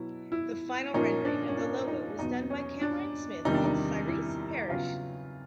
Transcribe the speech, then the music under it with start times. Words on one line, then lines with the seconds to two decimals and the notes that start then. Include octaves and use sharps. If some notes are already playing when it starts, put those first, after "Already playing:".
The final rendering of the logo was done by Cameron Smith and Cyrese Parrish.
Already playing: B2 F#3 B3 E4
0.32 E4
0.94 A#2 F3 A#3 C#4 D#4
1.25 D4
1.49 C#4
1.57 D4
1.87 D#4
2.19 E2 B2 F#3 B3 D#4
2.50 C#4
2.81 D4
3.45 E2 C3 D#3 G3 D#4
3.54 D4
3.65 D#4
4.07 E4
4.70 C#3 F#3 B3 F4